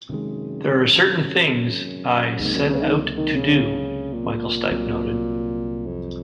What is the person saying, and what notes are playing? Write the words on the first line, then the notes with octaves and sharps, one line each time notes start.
"There are certain things I set out to do," Michael Stipe noted.
F#2 C3 D#3 G#3
F#2
F#2
C#2 G#2 C3 F#3 A#3
F#2
C#3
D#3
D#3
C#3
C#3
A#2
C2 C3 F#3
F2